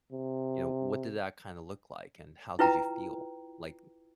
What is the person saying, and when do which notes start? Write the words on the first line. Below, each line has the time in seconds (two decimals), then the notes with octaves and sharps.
you know, what did that kinda look like, and how did you feel? Like, m
0.12 C3
2.59 E4 F4 B4 G5 A#5